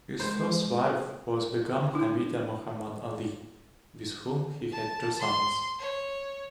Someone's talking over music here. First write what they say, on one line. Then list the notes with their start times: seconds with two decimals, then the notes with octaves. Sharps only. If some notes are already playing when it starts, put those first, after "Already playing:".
His first wife was Begum Hamida Mohammad Ali, with whom he had two sons.
0.20 G#3 C5
1.94 D4 E4
4.72 A5
5.19 C6
5.79 C#5